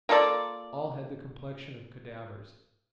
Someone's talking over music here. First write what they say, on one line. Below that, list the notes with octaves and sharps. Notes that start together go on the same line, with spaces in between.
All had the complexion of cadavers.
A#3 F4 A4 D5